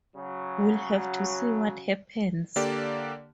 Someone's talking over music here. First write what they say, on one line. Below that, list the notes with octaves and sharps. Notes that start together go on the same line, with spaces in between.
We’ll have to see what happens.
C#3 F#3
D3 A#3 G4 D5